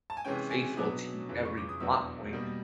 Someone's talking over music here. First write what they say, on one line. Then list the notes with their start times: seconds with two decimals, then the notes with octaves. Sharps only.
faithful to every plot point,
0.10 A5
0.17 G#5
0.25 C3 E3 G#3 C#4 G5
0.51 G#5
0.77 B2 F#3 B3 D4 D6
1.29 F2 C#3 E3
1.45 C#6
1.57 D6
1.69 D#6
1.80 E2 B2 F#3 B3 D4 E6
2.33 B2 G3 A#3